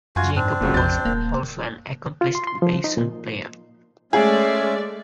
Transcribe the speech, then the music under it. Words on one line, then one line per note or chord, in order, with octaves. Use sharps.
Jacob was also an accomplished bassoon player.
F#2 F4 F#4 G#5 G#6
G#2 C4 D4
F#1 A#2 C#3 F#3
A#1 F2 G6 A6
D#1 A#3
F4
C6
C6
F3
D#4
A#2
G#3 A3 C#4 G#4 D5 E5